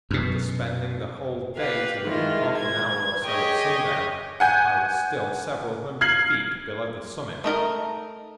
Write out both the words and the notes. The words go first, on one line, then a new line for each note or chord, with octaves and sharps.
After spending the whole day to within half an hour or so of sundown, I was still several hundred feet below the summit.
F#2 B2
G4 B4 F5
D#3 G#3 E4 F4
G#6
G4 G#4 C#5 D#5 G5
F#5 G#5 G6
F6 G#6 C7 F#7
A3 D#4 A#4 D#5